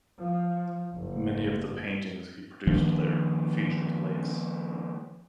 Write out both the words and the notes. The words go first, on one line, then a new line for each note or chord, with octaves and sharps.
Many of the paintings he produced there featured lakes.
F3
F#1
D#3 F3 A#3 D4